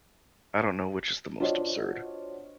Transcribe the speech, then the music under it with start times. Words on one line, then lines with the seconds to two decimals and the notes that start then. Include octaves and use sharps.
I don't know which is the most absurd.
1.40 D4 F4 F#4 C5 C#5 D#5